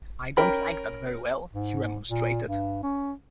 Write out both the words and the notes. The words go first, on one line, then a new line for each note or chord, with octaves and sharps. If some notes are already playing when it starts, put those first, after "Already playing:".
"I don't like that very well," he remonstrated.
C#4 A#4 G5 B5
G#2
A#2
G2
C#4